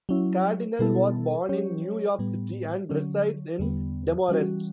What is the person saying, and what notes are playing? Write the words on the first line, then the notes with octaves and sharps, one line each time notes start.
Cardinale was born in New York City, and resides in Demarest.
F#3 C#4 E4
B2 G3 B3 E4 A4
F#3 C#4 G4 C#5
A2 G3 B3
D3 F#3 C#4
E2 D3 G3 B3
E3 G3 C#4 F#4